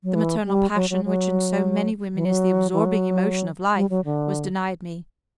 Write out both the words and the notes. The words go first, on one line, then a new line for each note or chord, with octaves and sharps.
The maternal passion, which in so many women is the absorbing emotion of life, was denied me.
F#3
E3
G3
F#3
F#3
F#3
E3
F#3
E3
F#3
G3
F#3
D3